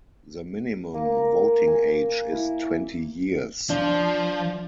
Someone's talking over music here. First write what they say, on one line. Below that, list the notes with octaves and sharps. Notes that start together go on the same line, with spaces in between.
The minimum voting age is twenty years.
A#3
A#4
G#5
E4
E5
F3 D4